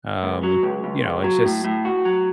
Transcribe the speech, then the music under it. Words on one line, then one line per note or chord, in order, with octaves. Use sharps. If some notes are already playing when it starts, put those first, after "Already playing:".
um, you know, it's just,
C#2
F#3
C#2
C#2
C#2
F#3
A2
A2
F#4
F#3